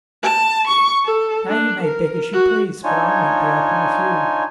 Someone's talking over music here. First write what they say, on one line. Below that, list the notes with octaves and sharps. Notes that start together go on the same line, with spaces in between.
Now you may beg as you please, but I won't be open with you.
A5
C#6
A4
D4
A#4
F#4
D4 D#4 F4 C#5 G#5